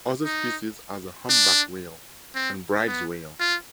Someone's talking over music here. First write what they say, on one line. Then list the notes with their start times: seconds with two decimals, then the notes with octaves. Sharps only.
Other species are the humpback whale and Bryde's whale.
0.25 D#4
1.30 D4
2.35 C4
2.88 B3
3.40 F4